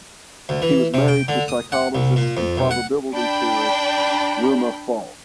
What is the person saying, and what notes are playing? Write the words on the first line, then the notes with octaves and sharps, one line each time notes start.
He was married to psychologist and probability theorist Ruma Falk.
D2
E3
C3
G5
D3
D#6
F#5
C2
A#2
F2
B1
F#5
D4 G5 B5